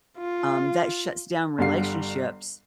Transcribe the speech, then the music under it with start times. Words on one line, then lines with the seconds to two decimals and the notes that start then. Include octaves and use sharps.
Um, that shuts down relationships
0.19 F4
1.58 G1 D3 G3 F5 C7